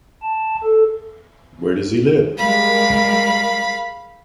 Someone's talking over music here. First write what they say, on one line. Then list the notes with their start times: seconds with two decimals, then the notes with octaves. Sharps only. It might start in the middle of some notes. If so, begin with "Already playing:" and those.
Where does he live?
0.23 A5
0.63 A4
2.38 G3 G#3 A#4 F5 B5